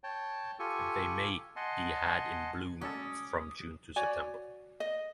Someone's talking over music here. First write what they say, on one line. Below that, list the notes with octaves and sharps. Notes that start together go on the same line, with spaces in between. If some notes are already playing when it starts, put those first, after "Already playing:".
They may be had in bloom from June to September.
C#5 G5 A5
F4 G4 A4 G#5 C#6
D#5 F#5 G#5 A5 C6
F#3 G#3 C#4 A4 D6 D#6
F#4 C#5 D5 G#5
D#5